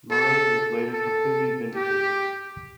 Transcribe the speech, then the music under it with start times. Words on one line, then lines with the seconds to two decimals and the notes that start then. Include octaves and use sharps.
Murray was later completely vindicated.
0.11 A4
0.93 A4
1.75 G4